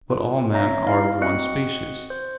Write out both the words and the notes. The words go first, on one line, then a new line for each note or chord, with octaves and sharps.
But all men are of one species.
F4
C#5 E5 A#5 A#6
D#4 E4 F5
C4 F#4 D#5 F#6 C#7
C5